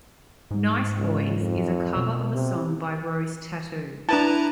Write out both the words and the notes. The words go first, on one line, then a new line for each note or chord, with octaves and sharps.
"Nice Boys" is a cover of a song by Rose Tattoo.
G#2
C#2
F2
B2
C3
D4 E4 B4 A5 A#5